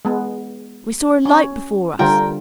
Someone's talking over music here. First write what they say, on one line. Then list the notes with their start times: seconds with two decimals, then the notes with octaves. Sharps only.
We saw a light before us.
0.05 G#3 B3
1.25 C#4
1.99 D3 G3 F4 A#4 G5 A#5